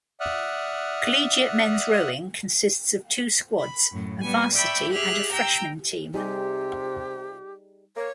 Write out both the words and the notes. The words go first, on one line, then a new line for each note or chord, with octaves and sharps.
Collegiate men's rowing consists of two squads, a varsity and a freshman team.
D5 E5 F#5 D#6 F6 F#6
B5
F#2 A2
G3 B3 G#5
D5 E5 G5 B5 C#6
G4 G#4 E5 F6 F#6
G5 A#5 E6 G6
C3 G3 D#4 G4 G#4
A#3 C#5